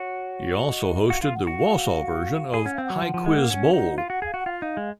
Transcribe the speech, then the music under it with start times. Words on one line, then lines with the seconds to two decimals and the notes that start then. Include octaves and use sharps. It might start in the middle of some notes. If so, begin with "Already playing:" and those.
He also hosted the Wausau version of High Quiz Bowl.
Already playing: F#4 C#5
0.63 D#5
1.10 F#4 F5
1.22 F4 F5
1.34 F#5
1.46 F#4 F#5
1.58 F5
2.54 G#4
2.65 C#4 F#5
2.74 C4 F5
2.84 F#5
2.90 F#3
3.02 F3
3.14 F3
3.26 G#3
3.38 A#3
3.50 C#4
3.73 D#4
3.98 F4 F5
4.10 F#4 F#5
4.22 G#4 F5
4.34 F#4 F#5
4.46 F4
4.52 F5
4.62 D#4
4.77 G#3